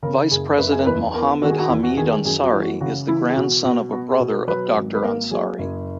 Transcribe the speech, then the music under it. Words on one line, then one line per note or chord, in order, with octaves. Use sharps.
Vice President Mohammad Hamid Ansari is the grandson of a brother of Doctor Ansari.
C#3 A#4
F#1 G#4
F#1 B4
G#4
A#4
E2 B4
B3 A#4
D#3 F#4
G#4
F#4
E2 E4
F#4
D#3 G#4
G#4
F#2 G#4
F#4
E3
F#4
C#3 F#4
E3 E4
G#4
B2 F#4
B2 F#4
B3 F#4
G#4
B2
A#4
F#3 B4
G#1
B4
A#3 A#4
F#3 G#4
F#1